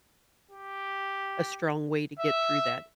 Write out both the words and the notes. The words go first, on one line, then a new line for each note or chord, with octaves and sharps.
a strong way to get through that
G4
E5